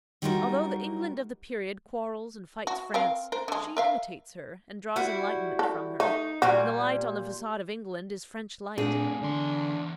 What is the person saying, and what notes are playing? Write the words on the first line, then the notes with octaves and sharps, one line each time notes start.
Although the England of the period quarrels and fights France, she imitates her and draws enlightenment from her; and the light on the facade of England is French light.
F#3 G3 D#4 F4 F#4 A#4
F#4
C4 A#4 F5
A#4 C5
D3 G#3
A#4 E5 F5
G3 E4 F#4
A4
A3 D#4
A#2 G3 F#4
A#2 A3 C4 D4 G#4
E2 D3 D4 C6